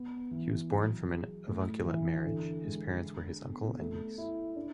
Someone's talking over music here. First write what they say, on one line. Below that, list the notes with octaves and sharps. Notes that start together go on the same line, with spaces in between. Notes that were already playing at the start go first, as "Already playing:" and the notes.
He was born from an avunculate marriage - his parents were uncle and niece.
Already playing: B3
E3
F#3
G#4
A2
E3
D3
G#3
D4
B3
A3
E4
D4